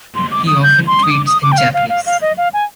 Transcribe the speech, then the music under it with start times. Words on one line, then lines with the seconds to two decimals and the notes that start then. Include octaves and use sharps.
He often tweets in Japanese.
0.15 C6
0.31 D6
0.47 D#6
0.63 G6
0.87 C6
1.03 D#6
1.11 D6
1.27 D#6
1.43 D6
1.52 G5
1.58 F5
1.74 F5
1.89 F5
2.06 F5
2.22 D#5
2.37 F5
2.54 G#5